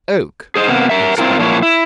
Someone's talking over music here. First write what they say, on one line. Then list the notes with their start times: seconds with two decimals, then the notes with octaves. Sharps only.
"Oak," he explained.
0.56 G#4 C5 D#5
0.68 C3 A#3 B3
0.89 A#4 E5
1.18 C4 E4 F4 A#4
1.39 A#2 F3 F#3 A#3 E4 C#5
1.62 E4